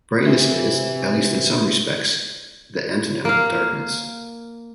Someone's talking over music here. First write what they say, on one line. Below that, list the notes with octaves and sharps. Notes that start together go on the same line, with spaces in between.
Brightness is, at least in some respects, the antonym of darkness.
C3 B4 E5
A#3 F5